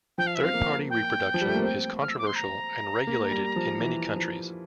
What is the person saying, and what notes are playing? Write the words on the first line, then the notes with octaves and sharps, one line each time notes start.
Third party reproduction is controversial and regulated in many countries.
F3 G5
F5
E5
C4 F5
A#3
G5
F3
G3
A3
A#3
C4
F6
E6
D6
C6
A#5
A#3
G3
F3
E3
F3